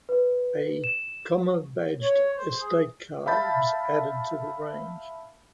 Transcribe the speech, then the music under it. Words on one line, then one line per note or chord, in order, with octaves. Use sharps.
A Commer-badged estate car was added to the range.
B4
E7
C#5
C5
G#4
E5 F5 A5 B5 G6 A6